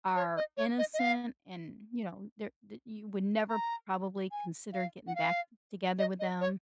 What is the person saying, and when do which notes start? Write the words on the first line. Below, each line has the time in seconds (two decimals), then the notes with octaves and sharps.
are innocent and, you know, they're that you would never probably consider getting back together with them,
0.16 C#5
0.36 D#5
0.57 C#5
0.78 D#5
0.94 D#5
0.99 F5
3.49 A#5
4.31 G#5
4.73 F5
5.07 F#5
5.15 F5
5.99 D#5
6.20 D#5
6.41 C#5